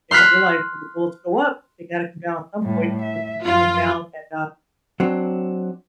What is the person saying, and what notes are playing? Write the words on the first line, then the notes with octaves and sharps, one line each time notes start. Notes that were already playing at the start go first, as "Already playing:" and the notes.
they don't realize when the bullets go up, they gotta come down at some point, unfortunately, it came down and, uh,
C6 F6 F#6 B6 C7
A2 G3
E5
F#2 F3 F4
F#3 C4 D4